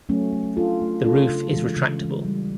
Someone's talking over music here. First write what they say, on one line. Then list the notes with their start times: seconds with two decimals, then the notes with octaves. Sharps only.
The roof is retractable.
0.09 F#3 A3 C#4
0.32 A3
0.56 D4 F4 A4
0.81 A3
1.05 D4 F4 A4
1.29 C#3
1.53 E3 G#3
1.77 C#3
2.01 E3 G#3
2.25 G3